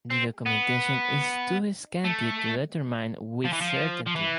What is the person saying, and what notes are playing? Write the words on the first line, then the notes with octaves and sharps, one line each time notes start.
The documentation is too scanty to determine with certainty.
C4
B3
A3
F3
E3
F3
F3
E3